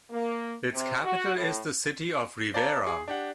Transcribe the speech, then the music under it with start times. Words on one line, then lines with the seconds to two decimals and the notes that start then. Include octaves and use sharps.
Its capital is the city of Rivera.
0.11 A#3
0.73 C3
1.04 F#4
1.36 A2
2.54 C5 D5 F5 A5 A#5
2.87 G#4
3.08 D4 G4 F#5